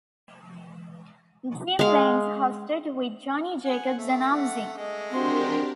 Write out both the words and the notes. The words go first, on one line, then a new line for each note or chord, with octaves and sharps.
Jim Lange hosted, with Johnny Jacobs announcing.
G#3 F5
F#5 G#5
A3
F#5
G#3 A3 D#5
C4 D4 F#4 G4 A#4 C6